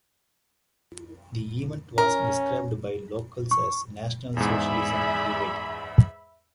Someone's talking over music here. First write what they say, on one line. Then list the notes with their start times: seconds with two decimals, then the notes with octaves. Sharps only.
The event was described by locals as "National Socialism revived".
1.98 C#4 A#4
3.51 C#6
4.37 E2 G#2 G#4 D5 E5 B5